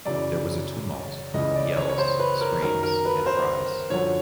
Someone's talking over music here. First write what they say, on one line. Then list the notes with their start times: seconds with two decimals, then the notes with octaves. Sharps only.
There was a tumult of yells, screams and cries.
0.05 F#2 C#3 E3 D5
1.34 C#2 C#3 E3 D#5
1.56 D5
1.76 C#5
1.89 C#5
1.98 C5
2.19 B4
2.41 A#4
2.62 F#2 D#3 A#4
2.83 A#4
3.05 B4
3.26 C5
3.90 F#2 D3 F3 C#5